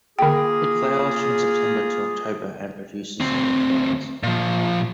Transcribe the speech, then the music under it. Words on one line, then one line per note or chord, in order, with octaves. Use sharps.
It flowers from September to October and produces yellow flowers.
D3 A#3 F4 G#4 G5
D2 C4
A#2 F3